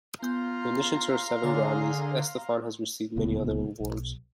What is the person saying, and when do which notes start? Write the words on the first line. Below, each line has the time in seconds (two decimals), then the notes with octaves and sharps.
In addition to her seven Grammys, Estefan has received many other awards.
0.22 B3 F4 F5 G#5 A#5 C6 G6
1.43 D3 G#4 C#5 D5 A5
3.16 D1 C#2 A#2 B3
3.80 B1